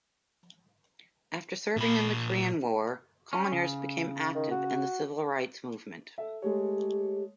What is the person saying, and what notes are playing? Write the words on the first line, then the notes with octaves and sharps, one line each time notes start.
After serving in the Korean War, Conyers became active in the civil rights movement.
A#2 B5
C#4
C#3
D#3
F#4
A4 E5
G#3 A3 G4 C#5